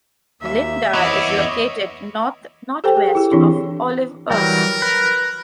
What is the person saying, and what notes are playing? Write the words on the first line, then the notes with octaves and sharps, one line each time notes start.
Linda is located north-northwest of Olivehurst.
D#2 E5
B3 E4 C#5 D#5 D6
G4 A4 C5 G5 G#5
G#4
E4 G4
E3 C4 D4 E4
E3 F#3 G3 A#4
B4